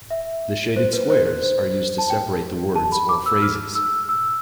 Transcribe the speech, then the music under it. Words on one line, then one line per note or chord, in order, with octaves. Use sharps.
The shaded squares are used to separate the words or phrases.
E5
C5
B4
C5
C5
C5
A5
G5
A5
B5
D6
E6
F6
E6
E6